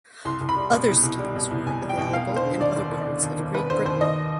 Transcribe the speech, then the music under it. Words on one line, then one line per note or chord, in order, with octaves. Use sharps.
Other schemes were available in other parts of Great Britain.
C2 C6
C2
B5
G3
B2
C2
C2
G3
B2
C2
C2 G#5
G3
G5
B2
F1 F5
F1
C5
D3
D#2 D5
F1
F1
D3
D#2
F1
F1 B4
D3 C5
D#2 C5
D#2 D#5